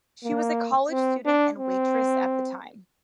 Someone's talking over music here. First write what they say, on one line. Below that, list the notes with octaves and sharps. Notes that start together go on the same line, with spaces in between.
She was a college student and waitress at the time.
A#3
C4
D4
C4